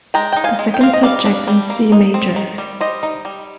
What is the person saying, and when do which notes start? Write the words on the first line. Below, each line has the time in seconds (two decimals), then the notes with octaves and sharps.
The second subject in C major.
0.14 G#3 G5 A#5
0.32 D#4 G5
0.44 F5 G#5
0.59 G#3
0.74 G5
0.81 C4 F5
0.93 D#5
1.03 G3 D5 F5
1.26 D4
1.48 G3
1.70 A#3
1.92 D#4
2.14 C4
2.36 D#3
2.58 G3
2.81 G3 C5 D#5
3.03 D#4
3.25 G3